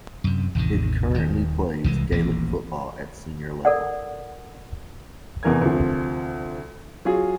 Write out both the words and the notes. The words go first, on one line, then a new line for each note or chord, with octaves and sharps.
It currently plays Gaelic football at Senior level.
F#2 C3
A1 E2 C3 D#3
D#1 D#3
C2 E3 G#3
D#1 A1 E3 A#3
A4 A#4 D5 F#5
F1 E2 E3 A#4 G#5 G#6
D2 C3 F3
F#3 F4 G#4